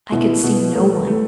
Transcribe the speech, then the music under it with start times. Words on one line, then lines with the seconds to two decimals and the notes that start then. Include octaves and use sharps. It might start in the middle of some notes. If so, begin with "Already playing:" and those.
"I could see no one."
0.12 B2 E4
0.43 B2
0.75 A3 B4
1.07 A3